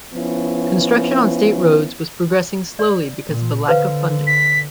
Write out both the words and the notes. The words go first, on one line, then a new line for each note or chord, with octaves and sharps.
Construction on state roads was progressing slowly because of a lack of funding.
F3 B3 C#4 E4
D5
A#2
D3 B4 C5 F5
B6